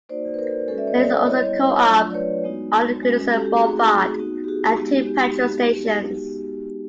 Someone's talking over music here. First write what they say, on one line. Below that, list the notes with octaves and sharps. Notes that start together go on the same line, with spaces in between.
There is also a Co-Op on Goodison Boulevard, and two petrol stations.
A#3 D#4 F#4 C5 D5
B4
A#4 C5
G#3 C#4 F#4 A4 B4
D5 E5
C#5 D#5
C5 D5
G3 B3 E4 C#5 D#5
C#5 D#5
F#3 A3 D4 F4
D5
B4 C#5
G#3 B3 D#4 F#4
G#3 C#4 F#4
G4 A4
G4
A3 C4 D#4 F#4 G#4
B3 D#4 F#4
G4
F#4 G#4
G#3 B3 D#4 F#4 G4
G4